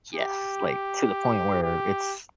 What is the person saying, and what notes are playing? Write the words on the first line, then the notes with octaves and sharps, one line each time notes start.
Yes. Like, to the point where it's
G4
G4